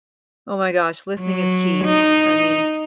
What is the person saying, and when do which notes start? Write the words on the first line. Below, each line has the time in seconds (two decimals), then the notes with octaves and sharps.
Oh my gosh, listening is key. I mean,
1.20 F#3
1.85 D#4